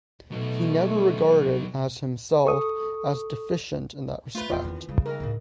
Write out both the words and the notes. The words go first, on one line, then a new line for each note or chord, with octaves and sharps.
He never regarded as himself as deficient in that respect.
B2 F#3 A3 D#4
A4 C#6 D#6
A3 F4 B4
D#1 E2 E3 F3 F4 G5
D#3 C4
C#3 G3 G#3
D#3 A#4
D2 A2 C#3